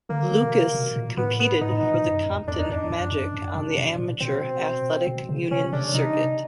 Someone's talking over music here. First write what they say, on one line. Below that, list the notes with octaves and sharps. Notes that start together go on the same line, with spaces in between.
Lucas competed for the Compton Magic on the Amateur Athletic Union circuit.
D3 A#3
D3
B2
C3
B2
A#2
A2 B3
B3
G#2 D#4
A2
A#2
A#2
F#2
F2
E2 D4
D#4
F2 D4
F#2
F#2
F#2
C3
B2
A#2
B2 C4
B2
C#3
C3 C#4
C3 D4
C3 D#4